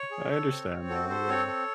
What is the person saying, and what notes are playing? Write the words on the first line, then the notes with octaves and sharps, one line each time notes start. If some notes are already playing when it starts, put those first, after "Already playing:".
I understand, though, yeah.
Already playing: C#5
G#4
A4
C4
C4
F#4 A4
A4 C5
C4 C#5
A4